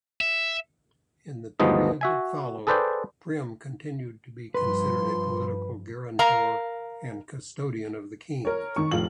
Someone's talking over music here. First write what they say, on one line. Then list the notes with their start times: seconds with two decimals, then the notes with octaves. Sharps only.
In the period that followed, Prem continued to be considered a political guarantor and custodian of the king.
0.21 E5
1.60 D2 G2 F3 G#3 B3 D#4
2.01 F#4 E5 G#5
2.67 G#4 A4 B4 C5 D5 G5
4.54 G2 F3 B4 C6
6.19 A#4 F5 A#5
8.45 A#4 C#5
8.76 D#3 C#6
8.91 F1 A2 F4 F5 F#7